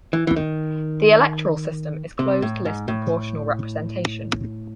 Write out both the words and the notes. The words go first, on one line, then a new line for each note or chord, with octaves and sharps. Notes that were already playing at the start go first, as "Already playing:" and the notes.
The electoral system is closed list proportional representation.
E3
E3
D#3
C3
A2
G#2
A2